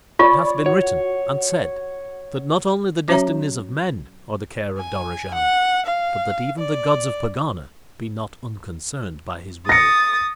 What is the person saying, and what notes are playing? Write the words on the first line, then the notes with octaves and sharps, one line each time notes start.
It hath been written and said that not only the destinies of men are the care of Dorozhand but that even the gods of Pegana be not unconcerned by his will.
F4 C#5 D5 B5 C#6
F#4 C#5
F#3 C#4 F#4 C#5 E5 A#5
G#5
F#5
F5
D5
D#6 A6 A#6 C#7